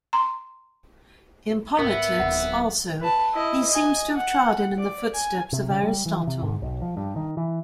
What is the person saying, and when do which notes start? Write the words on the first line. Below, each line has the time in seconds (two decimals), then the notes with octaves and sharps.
In politics, also, he seems to have trodden in the footsteps of Aristotle.
0.13 A#5 C6
1.79 G#2 B3 D#4 A#4 E5 C#6
2.19 D1 D#3 F#5
3.01 B4 A5
3.33 E4 D#5
3.70 D#5 G#5
4.15 F#5
4.78 D5
5.14 G#5
5.53 C3
5.70 C#3
5.83 G3
6.06 E3
6.27 C3
6.42 G#2
6.62 B1
6.82 F3
6.97 G2
7.16 D#3
7.37 E3